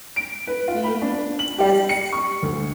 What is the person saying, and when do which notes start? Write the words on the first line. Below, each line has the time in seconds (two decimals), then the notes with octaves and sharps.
Mhm. Yes.
0.16 D7
0.47 B4
0.68 F4
0.83 B5
1.02 D4
1.39 F#7
1.58 G4
1.89 C#7
2.13 C#6
2.43 D2